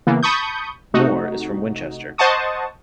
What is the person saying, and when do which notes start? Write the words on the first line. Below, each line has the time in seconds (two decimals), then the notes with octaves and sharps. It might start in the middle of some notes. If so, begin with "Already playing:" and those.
Moore is from Winchester.
0.07 C#3 E3 A#3 B3
0.23 A5 B5 C#6 D#6 G6
0.94 C3 A3 D#4 F#4
2.18 C5 D#5 F#5 A5 C#6 D#6